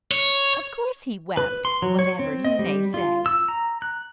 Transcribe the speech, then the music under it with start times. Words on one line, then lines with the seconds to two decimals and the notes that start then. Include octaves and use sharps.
Of course he wept--whatever he may say.
0.11 C#5
1.37 B4
1.65 C6
1.82 F#3
1.99 C#5
2.19 C4
2.44 D#5
2.59 G3
2.94 F4
3.26 E6
3.48 A#5
3.82 F#6